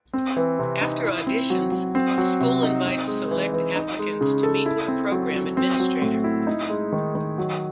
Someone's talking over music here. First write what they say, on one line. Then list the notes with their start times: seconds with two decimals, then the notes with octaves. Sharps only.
After auditions, the school invites select applicants to meet with a program administrator.
0.13 C4
0.36 E3
0.59 C3
0.81 D#4
1.05 E4
1.27 C4
1.50 F#3
1.72 F#3
1.95 C4
2.18 F#3
2.40 C3
2.63 D#4
2.86 C4
3.07 G#3
3.31 E3
3.53 E3
3.76 D#4
3.99 G#3
4.21 C#3
4.43 A4
4.66 E4
4.88 C4
5.11 F#3
5.34 F#3
5.57 C4
5.80 F#3
6.02 A2
6.24 E4
6.47 D#4
6.69 G#3
6.93 D#3
7.15 D#3
7.38 F#3